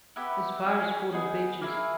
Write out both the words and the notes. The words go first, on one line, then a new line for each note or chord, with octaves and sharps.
'As far as Fordham Beeches.
B3 E4 G4
C#4 E4 G#4
B3 D#4 G#4
A#3 E4 G#4